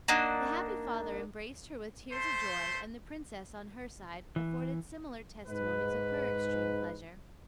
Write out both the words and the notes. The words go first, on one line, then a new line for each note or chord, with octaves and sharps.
The happy father embraced her with tears of joy; and the princess, on her side, afforded similar testimonies of her extreme pleasure.
A#3 D4 D#4 F#4
A3 C5 C6
E3
G#2 B4